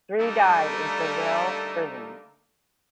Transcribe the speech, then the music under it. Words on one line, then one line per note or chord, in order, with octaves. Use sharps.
Three died in Seville prisons.
D3 G3 A3 A#3 D#4